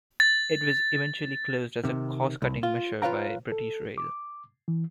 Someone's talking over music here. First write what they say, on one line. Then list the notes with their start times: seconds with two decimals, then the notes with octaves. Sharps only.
It was eventually closed as a cost-cutting measure by British Rail.
0.20 A6
1.84 C3 D#3
2.42 C2
2.63 F4
3.02 F4 B4 C#5 F5 G5 A#5
3.52 A4
3.98 D6
4.68 E3